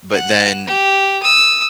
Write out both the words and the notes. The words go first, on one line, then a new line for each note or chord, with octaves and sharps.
but then
F#5
G4
D#6 E6